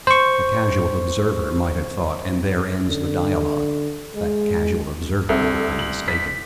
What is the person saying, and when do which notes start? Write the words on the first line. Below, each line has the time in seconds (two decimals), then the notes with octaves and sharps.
A casual observer might have thought "and there ends the dialogue!" That casual observer would have been mistaken.
0.07 C5 C#6
2.87 D3
4.15 G#3
5.29 C2 C4 A4 E5
5.79 F#7
6.08 B6